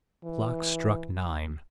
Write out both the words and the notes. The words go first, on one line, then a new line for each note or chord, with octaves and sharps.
The clock struck nine.
E3